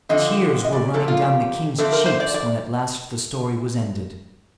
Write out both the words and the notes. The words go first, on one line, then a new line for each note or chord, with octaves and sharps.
Tears were running down the king's cheeks when at last the story was ended.
D3 F3 C4 D#5
D#5
D5
D3 F3 A#3 A4
F4
G4
D3 F3 A3 C4 A4
A#4
C5
D5
D5